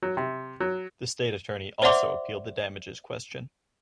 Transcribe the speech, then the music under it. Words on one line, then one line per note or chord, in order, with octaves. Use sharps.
The state attorney also appealed the damages question.
F#3
C3
F#3
C5 D5 E5 F#5 C6 D6